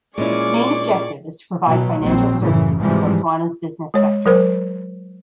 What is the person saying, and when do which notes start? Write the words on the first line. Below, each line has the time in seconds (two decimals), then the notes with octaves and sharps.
Its main objective is to provide financial services to Botswana’s business sector.
0.18 A#2 G#3 C#4 E4 G#4 D5 C#6 D6
1.66 B2 F#3
2.01 A#1 F#3 C4
2.40 F#2 A2 C#3 E3
2.79 G#2 C3 E3 F3 G3
3.94 G#3 C#5
4.26 F#3 A#4 C5